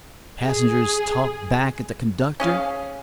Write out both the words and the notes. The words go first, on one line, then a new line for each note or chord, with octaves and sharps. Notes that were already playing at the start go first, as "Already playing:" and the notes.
Passengers talk back at the conductor.
G#4
C#4 G#4 F5